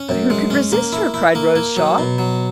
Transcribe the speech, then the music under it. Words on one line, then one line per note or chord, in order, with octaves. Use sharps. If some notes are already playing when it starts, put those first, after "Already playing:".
"But who could resist her?" cried Rose Shaw.
Already playing: C#4
F#2
G#3
C#4
A#3
E4
E4
A#3
A#3
F#3
B2
F#3